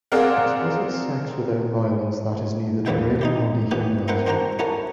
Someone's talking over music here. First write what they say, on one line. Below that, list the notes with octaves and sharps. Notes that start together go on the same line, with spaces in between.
Explicit sex without violence that is neither degrading nor dehumanizing.
C4 G#4 A#4 D5 F5 F#5
A#1 D#2 A#2 B4 E5 G5
D#4 E4 G4
B3 C#4 E4 G4 B4
C4 E4 A#4 B4 F#5 G5
C4 D4 F#4 A#4 G5 A#5
C#4 E4 F#4 A4 A#4